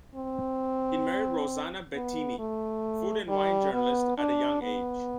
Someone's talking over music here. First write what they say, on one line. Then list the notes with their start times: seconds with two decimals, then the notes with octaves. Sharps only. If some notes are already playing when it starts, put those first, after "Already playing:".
He married Rossana Bettini, food and wine journalist, at a young age.
0.15 C4
1.94 B3
2.39 A3
3.28 G3
3.73 B3
4.18 D4
4.62 B3